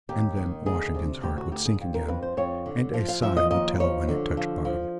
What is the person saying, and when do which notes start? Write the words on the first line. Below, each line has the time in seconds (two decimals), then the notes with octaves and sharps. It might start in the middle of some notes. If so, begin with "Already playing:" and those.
And then Washington's heart would sink again and a sigh would tell when it touched bottom.
0.09 D#2 G4
0.37 D#3
0.66 D2 G#4
0.94 C3
1.23 D2 G4
1.38 F#4
1.52 D2 G4
1.66 G#4
1.81 F2
1.94 A#4
2.08 F2 B4
2.23 C5
2.37 F2 C#5
2.66 D3
2.94 F3 F5
3.09 F5
3.22 F3 E5
3.37 D#5
3.51 D#2 D#5
3.80 F3 C#5
4.08 D3
4.37 F3
4.65 F3